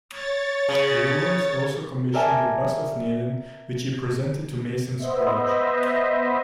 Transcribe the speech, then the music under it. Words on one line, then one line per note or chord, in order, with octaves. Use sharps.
Lewins also commissioned a bust of Naden which he presented to Mason's College.
C#5 A6
C#3
A#4 D5 E5 G#5 A5
B3 C5 D#5 E5